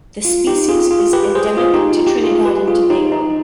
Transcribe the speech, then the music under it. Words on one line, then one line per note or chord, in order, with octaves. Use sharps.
The species is endemic to Trinidad and Tobago.
F4
D#4 G4
F4 G#4
F4 G#4
G4 B4
G#4 C5
F4 G#4
D#4 G4
F4
D#4 G4
F4 G#4
G4 B4
F4 G#4
D#4 G4
D#4